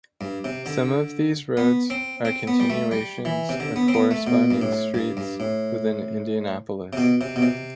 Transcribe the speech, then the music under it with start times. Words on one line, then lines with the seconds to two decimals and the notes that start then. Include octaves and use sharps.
Some of these roads are continuations of corresponding streets within Indianapolis.
0.21 G2
0.44 C3
0.66 D3
1.57 B3
1.90 C4
2.25 C4
2.47 B3
2.60 G3
2.70 A3
2.91 G3
3.25 E3
3.49 C3
3.60 D3
3.76 B3
3.88 C4
3.94 B3
4.11 A3
4.27 B2
4.51 G2
4.62 A2
4.94 G2
5.17 G2
5.40 A2
6.93 C3
6.97 B2
7.21 C3
7.36 B2
7.42 C3